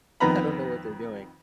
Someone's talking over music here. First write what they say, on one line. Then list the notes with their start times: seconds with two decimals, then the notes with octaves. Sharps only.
I don't know what they're doing,
0.20 F2 D#3 B3 A#5 B5